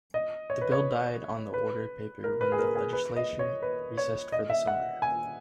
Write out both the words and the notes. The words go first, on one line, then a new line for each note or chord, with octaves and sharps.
The bill died on the order paper when the legislature recessed for the summer.
D#5
C#5
B4
C#5
B4
A#4
B4
G#4
A#4
G#4
B4
D#5
C#5
B4
C#5
D#5
E5
F#5
G#5